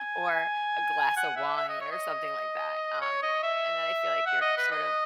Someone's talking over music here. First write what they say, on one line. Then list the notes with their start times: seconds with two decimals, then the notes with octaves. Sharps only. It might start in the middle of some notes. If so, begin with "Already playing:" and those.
Or a glass of wine or something like that, um, and then I feel like you're sort of
Already playing: G#5
1.17 F#5
1.36 E5
1.57 E5
1.69 D#5
1.81 C#5
1.92 D#5
3.02 C#5
3.23 D#5
3.43 E5
4.26 F#5
4.42 D#5
4.58 B4
4.72 D#5